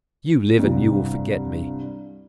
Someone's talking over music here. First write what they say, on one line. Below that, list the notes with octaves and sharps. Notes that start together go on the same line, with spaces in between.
You live and you will forget me.
C2 G2